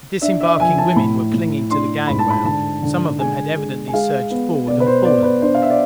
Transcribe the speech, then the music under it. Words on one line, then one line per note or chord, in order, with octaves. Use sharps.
The disembarking women were clinging to the gang rail; some of them had evidently surged forward and fallen.
D4 E5
E5
F3 G#5
A5
A2 B5
A2
D4 C6
G#2 B5
A5
B5
D3 A5
D3
G#3 G#5
G#3
G#5
G#3 F5
B3
B2 D5
B4
C5
B3 D5
B4
D4 C5
F5
E5
D5